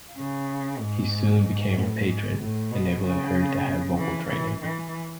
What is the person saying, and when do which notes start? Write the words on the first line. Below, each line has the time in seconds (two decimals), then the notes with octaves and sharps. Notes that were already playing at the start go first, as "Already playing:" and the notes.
He soon became her patron, enabling her to have vocal training.
0.18 C#3
0.81 G#2
1.77 A2
2.09 G#2
2.40 A2
2.71 B2
3.04 C#3
3.98 E3
4.30 E3
4.61 E3